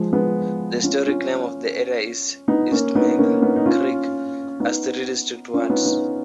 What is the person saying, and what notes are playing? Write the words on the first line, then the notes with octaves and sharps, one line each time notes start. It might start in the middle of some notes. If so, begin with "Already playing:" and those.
The historic name of the area is "East Mill Creek", as three distinct words.
Already playing: F3 G#3
G#3 B3
C#4 F4
C#4 F4
B3 D#4
A#3 C#4
B3 D#4
A#3 C#4
B3 D#4
D#4
C#4 F4
B3 D#4
C#4 F4
B3 D#4
B3 D#4